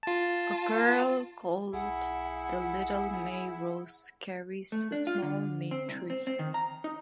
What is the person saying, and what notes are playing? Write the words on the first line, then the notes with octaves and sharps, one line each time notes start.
A girl called the Little May Rose carries a small May-tree.
F4 A5
B1 E4 G#4 F#5
A3
D4
F4
D3
C4
C2
C4
C4
D#3
A#5
D#4